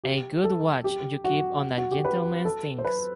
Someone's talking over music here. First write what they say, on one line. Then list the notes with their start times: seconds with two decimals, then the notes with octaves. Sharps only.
A good watch you keep on a gentleman's things!
0.04 G4
0.44 A4
0.84 G4
1.24 F#4
1.78 F#4
1.91 G4
2.05 B4
2.45 A4
2.78 C5
2.85 B4